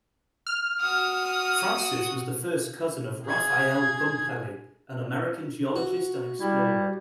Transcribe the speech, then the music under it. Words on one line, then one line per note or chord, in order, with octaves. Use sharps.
Frances was the first cousin of Raphael Pumpelly, an American geologist and explorer.
F6
F#4 D#6
G#4 G#6
F#4
G3 E4